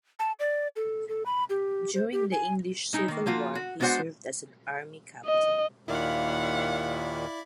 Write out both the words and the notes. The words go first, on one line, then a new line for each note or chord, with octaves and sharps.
During the English Civil War he served as an army captain.
A5
D5
A4
A4
B5
G4
C5
G4
G#5
G#3 D#4 E4
D#3 A#3
F3 A#3 F4 F#4
F#4
G#3 B3 D4 F#4 C5 F#5
D#5
D#2 A#2 D#3 E4 D5 F5 F#5 B5